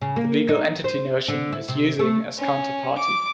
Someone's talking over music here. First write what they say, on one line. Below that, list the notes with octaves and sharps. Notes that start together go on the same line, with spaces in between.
The legal entity notion is using as counterparty.
C#3
A#3
D#4
C5
D3
E4
C3
A3
C#4
D6